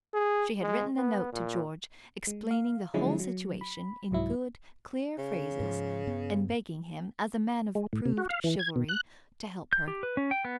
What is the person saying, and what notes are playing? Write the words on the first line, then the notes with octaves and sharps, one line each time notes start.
She had written a note to George, explaining the whole situation in good, clear phrases and begging him as a man of proved chivalry to help her.
G#4
G#3
B3
A#2
G#3
F5
D3 F3 F#3 G#3 C#4 E4
F#3
B5
C2 G#2 F#3 E4
C#3
G#2 F3
G2 B3
G#3
A2
C3
F#4
F5
E3
G#6
B2
F#6
G6
G4
B4
C#4
G5
B3